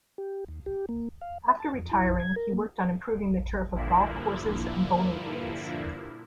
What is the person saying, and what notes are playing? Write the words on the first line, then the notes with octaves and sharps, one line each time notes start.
After retiring, he worked on improving the turf of golf courses and bowling greens.
G4
D#2
G4
A#3
F5
E5
A5
F2
E4
G#6
A#4
A#3
G2 A#2 D3 F3 A#3 E4